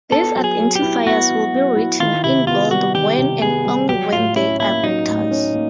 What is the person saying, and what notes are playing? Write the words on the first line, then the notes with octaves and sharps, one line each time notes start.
These identifiers will be written in bold when and only when they are vectors.
B3 A4
F#3
G#4
F#3
G4
E4
B3 F#4
F#3
F#3
E4
D#3 F4
C3 E4
B3 F4
G3 F#4
D#3 G4
C3
B3 G#4
G3
F#3 G4
A2 F4
C#4 E4
A#3 E4
F#3 D#4
A2
C#4
A#3